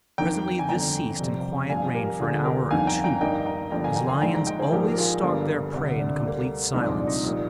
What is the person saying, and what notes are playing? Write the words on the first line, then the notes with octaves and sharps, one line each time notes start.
Presently this ceased, and quiet reigned for an hour or two, as lions always stalk their prey in complete silence.
F2 D#3 A#3 G5 A#5
G#5
G1 F2 D3 G5 A#5
F2 C3 G3 C4
G1 G2 F3 F5 G#5
G4 A#4
D2 D3 G3 F4 G#4
G4 A#4
G1 F2 D#3 F5 G#5
G5 A#5
G5 A#5
G2 D#3 A#3 D#5 G5
G5 A#5
G1 G2 D3 F3 A#3 G5 A#5
F5 G#5
G5 A#5
G#5 C6
A#1 G#2 D#3 G#3 G5 A#5
G5 A#5
D#5 G5
G#4 C5
A#1 G#2 F3 A#3 G4 A#4
A#4
F4 G#4
G1 G2 D3 G3 A#3
D2 C3 G3
D4
D2 D3 G3 A#3
C2 A#2 F3 G#3 C4 D#4
D4
D#4
A#1 A#2 G3 A#3